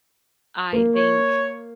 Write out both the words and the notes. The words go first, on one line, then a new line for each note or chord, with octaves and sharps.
I think,
A#3
C#5